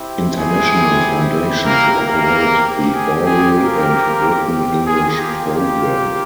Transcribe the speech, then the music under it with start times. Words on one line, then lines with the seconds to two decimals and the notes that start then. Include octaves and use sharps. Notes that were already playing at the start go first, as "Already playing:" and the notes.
International Foundation to operate the Oral and Written English Programme.
Already playing: C4 E4 G4
0.37 G#4
1.66 A#3 A#4
1.97 A#3 A#4
2.30 C4 G4
2.93 G#4
3.26 G#4
3.57 A#3 A#4
4.85 A#3 F4 G#4
5.17 G4
5.50 G4